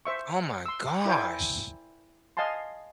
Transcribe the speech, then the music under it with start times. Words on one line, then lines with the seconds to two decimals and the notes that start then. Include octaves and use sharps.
Oh my gosh.
0.05 C5 E5 C#6
0.66 C6 E6
1.06 E4 A#4 C5 D5 G5 G#5
2.37 D#5 F5 G#5 A5 C6